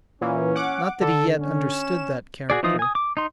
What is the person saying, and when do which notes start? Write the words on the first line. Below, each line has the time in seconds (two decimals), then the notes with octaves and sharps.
Not that he yet understood that character.
0.21 A#2 E3 A#3 C#4
0.55 F#5 D6
1.01 D3 A4
1.39 C#4
1.72 E7
2.50 F#4 G#4 D5
2.63 E3 F3 D#4 F4 D#6
2.79 G#5 D#6
2.95 D6
3.17 D#4 C6